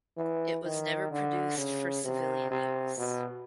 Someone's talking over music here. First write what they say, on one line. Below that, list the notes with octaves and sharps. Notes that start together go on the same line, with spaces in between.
It was never produced for civilian use.
E3
D#3
D3
C#3
C3
C3
B2